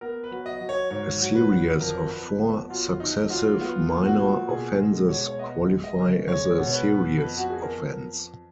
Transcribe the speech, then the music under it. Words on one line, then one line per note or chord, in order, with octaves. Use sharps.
A series of four successive minor offenses qualify as a "serious" offense.
B3 A#4
B4
F#3
D#5
F#3
C#5
G#2 C#5
F#3
B4
F#3
F2 A#4
A#4
F2 B4
B3
F#3 F4
F2 D#4
F#3 F4
B3 F4
A#2
F#4
A#2
B2 G#4
G#3
B2 C#5
C#5
B3 D#5
G#3
D#5
C#3
G#3 C#5
B2
C#5
B4
B3
F2 B4
F#4
B3 G#4
A#4
F2